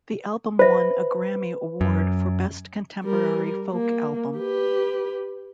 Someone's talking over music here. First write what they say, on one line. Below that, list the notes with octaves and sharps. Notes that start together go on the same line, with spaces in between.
The album won a Grammy Award for Best Contemporary Folk Album.
B4 C5 E5
F#2
G3 A#4
A#3
G4 B4